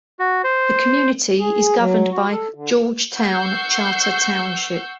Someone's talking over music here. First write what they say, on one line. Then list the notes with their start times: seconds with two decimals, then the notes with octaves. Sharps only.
The community is governed by Georgetown Charter Township.
0.19 F#4
0.44 C5
1.39 G#4
1.78 F#3
2.11 F#4
2.30 A4
2.54 D3
3.15 F#5 C#6 E6 G6 C7